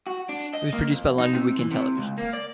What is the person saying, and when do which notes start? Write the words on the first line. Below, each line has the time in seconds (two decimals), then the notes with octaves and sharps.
It was produced by London Weekend Television.
0.07 F#4
0.29 D4
0.54 D#5
0.73 A#3
0.90 F2
1.18 D#4
1.33 C3
1.58 E3
1.71 C3
1.98 C#2
2.18 A#3
2.33 D5